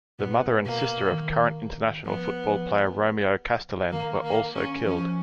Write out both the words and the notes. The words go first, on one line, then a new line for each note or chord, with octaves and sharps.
The mother and sister of current international football player Romeo Castelen were also killed.
A#2 B3
B2 A#3
D#3
F3 B3
D#3 A#3
A#3
C#4
F3 C#4